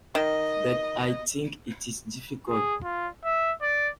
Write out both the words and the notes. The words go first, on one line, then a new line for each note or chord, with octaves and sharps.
But I think it is difficult.
D#3 D#5
G#4
F4
E5
D5